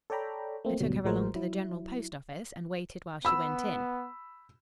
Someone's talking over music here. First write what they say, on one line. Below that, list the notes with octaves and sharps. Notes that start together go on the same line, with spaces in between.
I took her along to the General Post Office, and waited while she went in.
A4 C#5 D5 G5 A#5 B5
A3 A#3 C4
D2 G#2 B2 F#3 G3
A1 F3 G#3 A3 A#4 C5
F#3 E4
B3 B5 E6